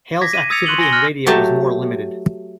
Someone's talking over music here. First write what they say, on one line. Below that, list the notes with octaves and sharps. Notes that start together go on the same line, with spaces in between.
Hale's activity in radio was more limited.
D6 G#6 A#6 B6
D#7
D#6 E6 G#6 A6 C#7 F7
C6 C#6 F#6 D#7 F#7 G7
G#5 A#6 G7
F6 F#6 A#6
F#3 A3 G4 A5